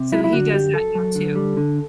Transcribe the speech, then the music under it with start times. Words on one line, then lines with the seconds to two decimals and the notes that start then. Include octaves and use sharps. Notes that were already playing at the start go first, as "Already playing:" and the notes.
So, he does that now too.
Already playing: C3
0.12 F#3 E4
0.24 E4
0.33 D3 F#4
0.53 F#2 G4
0.74 F#2 A4
0.95 F#3
1.15 D3
1.35 G3
1.57 D3